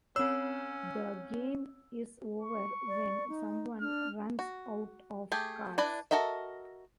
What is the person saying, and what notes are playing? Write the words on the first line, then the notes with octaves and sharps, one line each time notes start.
The game is over when someone runs out of cards.
C4 C#4 C#5 E6
C#6
D5
D#4
D4 F6
F#4
A3 G4 G#4
D4 E4 B4 D5
F#4 A4 A#4 D#5 E5